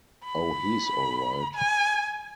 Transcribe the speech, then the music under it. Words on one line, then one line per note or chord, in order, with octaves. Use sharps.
Oh, he's all right.
B5
G#5